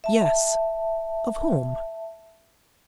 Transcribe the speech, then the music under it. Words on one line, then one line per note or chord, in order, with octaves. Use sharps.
"Yes, of whom?"
E5 A5